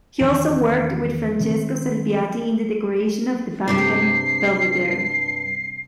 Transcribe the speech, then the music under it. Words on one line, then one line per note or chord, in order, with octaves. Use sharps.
He also worked with Francesco Salviati in the decoration of the Vatican Belvedere.
E2 D#3 F3
D#3 F3 G#3 C4
G2 C3 G4 E5 C7